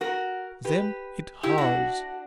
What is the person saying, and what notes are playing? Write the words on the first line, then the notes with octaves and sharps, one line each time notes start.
Then it howls!
F#4 A#4
G4 B4
E4 G4
D4 F#4